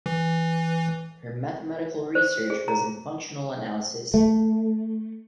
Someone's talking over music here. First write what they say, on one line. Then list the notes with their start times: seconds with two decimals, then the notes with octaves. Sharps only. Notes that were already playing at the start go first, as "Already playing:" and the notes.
Her mathematical research was in functional analysis.
0.06 E3
2.15 C5
2.50 G#4
2.68 A#5
4.14 A3